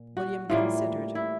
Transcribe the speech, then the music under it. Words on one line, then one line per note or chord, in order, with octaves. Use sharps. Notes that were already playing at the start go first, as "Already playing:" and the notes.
William considered.
Already playing: A#2
F#4
A2 E3 G3 A#3 F4
E4